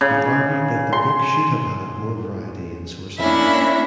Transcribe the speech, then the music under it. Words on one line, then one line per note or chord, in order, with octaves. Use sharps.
He argued that the book should have had more variety in sourcing.
C#3
C6
A#3 C#4 D4 E4 E5